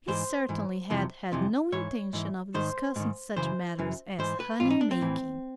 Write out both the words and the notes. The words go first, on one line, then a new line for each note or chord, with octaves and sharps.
He certainly had had no intention of discussing such matters as honey making.
G#2 E3 C5
G#2 E3
F2 C3 E3
F2 C3 E3
G#2 E3 C#5
G#2 E3
G#2 D#3 C5
G#2 D#3
F#2 C#3 E3 C5
F#2 C#3 E3
G#2 E3 C5
B4
G#2 E3 F4
D#4
D4
C4
A2 E3